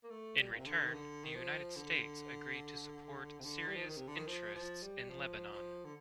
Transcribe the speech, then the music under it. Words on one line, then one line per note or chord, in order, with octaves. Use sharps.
In return, the United States agreed to support Syria's interests in Lebanon.
A#3
A3
G3
A#2
C3
D3
D#3
D3
D#3
F3
D3
C3
D3
G3
F3
D#3
C3
D3
D#3
F3
F3
G3
F3
F3
D3